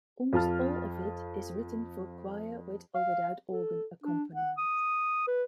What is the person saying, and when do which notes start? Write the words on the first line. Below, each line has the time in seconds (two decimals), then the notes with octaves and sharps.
Almost all of it is written for choir with or without organ accompaniment.
0.33 F2 F4 A5 F6
2.95 F5
3.52 A4
4.04 D4
4.35 F#5
4.58 D#6
5.28 B4